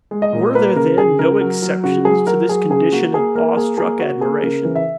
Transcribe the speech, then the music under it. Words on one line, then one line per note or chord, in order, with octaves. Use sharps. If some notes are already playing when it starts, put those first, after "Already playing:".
Were there, then, no exceptions to this condition of awestruck admiration?
G#3
D#5
A#2
A#3 B4
C#3 A#4
C#3 G#4
C#3 A#4
F#3
F#3
C#3 F#4
F#3 G#4
F#3 A#4
F#3 G#4
C#3 G#4
A#3 F#4
A#3 G#4
A#3 A#4
A#3 G#4
A#3 G#4
A#3 F#4
A#3 G#4
C#3 A#4
E3
E5